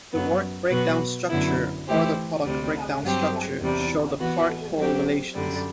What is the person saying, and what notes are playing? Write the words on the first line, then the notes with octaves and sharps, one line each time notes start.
The work breakdown structure or the product breakdown structure show the "part-whole" relations.
F#2 F#3 B3
B2 F#3 B3 F#4 B4
F#2 D3 F#3 B3 E4
E3 A3 E4 G4 C5
D2 C3 G3
G2 F#3 C4 G4 C5
E2 C3 G3
E3 B3 F#4
F#3 C4 G4
F#2 D3 G3